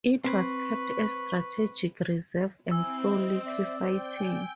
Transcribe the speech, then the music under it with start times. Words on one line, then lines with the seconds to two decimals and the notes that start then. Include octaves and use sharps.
It was kept as a strategic reserve and saw little fighting.
0.24 C4 B4 C#6
2.71 C4 E4 G#5 E6
3.06 D#5
3.45 D5 E5
3.82 C5 D5 G5
4.19 G#5